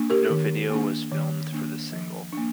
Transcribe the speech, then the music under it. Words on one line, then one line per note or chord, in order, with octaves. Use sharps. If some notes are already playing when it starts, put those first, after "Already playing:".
No video was filmed for the single.
Already playing: A#3 D4
G4 A#4
D#3
A#3 D4
D#3
A#3 D4
F3
A#3 D4